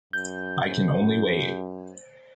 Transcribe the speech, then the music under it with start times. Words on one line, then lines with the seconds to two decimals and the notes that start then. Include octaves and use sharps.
I can only wait.
0.13 F#2 G6